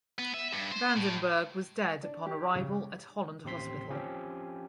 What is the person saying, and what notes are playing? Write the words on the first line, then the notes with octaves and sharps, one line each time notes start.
Vandenberg was dead upon arrival at Holland Hospital.
B3
E5
G2
C5
A2
D4
G4
D6
C#3
A1 D#2 C4 C6 B6
F3 C4 C#4 G4